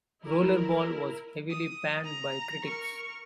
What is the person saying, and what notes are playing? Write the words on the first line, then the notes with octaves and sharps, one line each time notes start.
"Rollerball" was heavily panned by critics.
E4 A#4
D#6
A#5
A#4 C#6